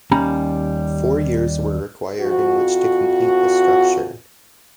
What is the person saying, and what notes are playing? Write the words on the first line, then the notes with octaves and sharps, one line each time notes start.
Four years were required in which to complete the structure.
D#2 G3 C#4 A#5 B5
F2 F#4